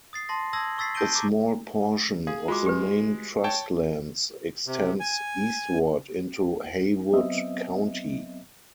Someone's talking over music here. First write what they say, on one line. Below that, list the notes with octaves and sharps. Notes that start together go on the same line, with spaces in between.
A small portion of the main trust lands extends eastward into Haywood County.
D#6 A6 C7
A5 C6 A#6
A5 D#6 E6 G#6 A#6 F#7
C#6 E6 A6 B6 C7
A5 G6 A#6 D7 D#7 G7
A#5 D6
G#4 F5
G#3 F4 F#4 D6
G4 B4
C#5 G5 A5
C3
G#5
F#3 B3 C4 D#5 E5